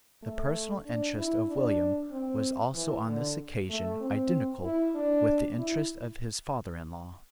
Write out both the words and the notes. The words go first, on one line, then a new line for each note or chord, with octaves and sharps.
The personal interest of William was also on this occasion identical with the interest of his father in law.
A3
D4
E4
D4
C4
E3
D3
A3
C4
E4
D4
E4